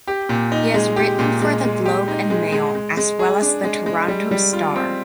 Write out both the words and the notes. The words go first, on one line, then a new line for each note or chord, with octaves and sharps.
He has written for the Globe and Mail as well as the Toronto Star.
G4
A#2
D#4
G#3
G4
A#2
G#3
G#3
G4
D#4
G#3
G#3
G#3
G#3
G#4
D4
G#3
G#3
G3
G3
F4
C4